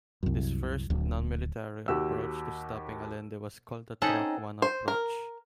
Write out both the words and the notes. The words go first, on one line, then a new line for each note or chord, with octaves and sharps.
This first, nonmilitary, approach to stopping Allende was called the Track I approach.
C2 F#2
D1 D2
D#2 F#4 G4 E6
C4 C#4 D#4 G#4 A4 F#5 G#5
C5
A#4